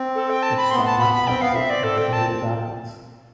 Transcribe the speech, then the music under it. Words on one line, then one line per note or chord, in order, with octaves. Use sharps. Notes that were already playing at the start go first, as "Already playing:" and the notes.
It saw much success in the early battles.
Already playing: C4
A4
G5
A5
B5
B3 C6
A5
B5
B5
C4 G5
B3 F5
C4 E5
D5
A4
G5
A5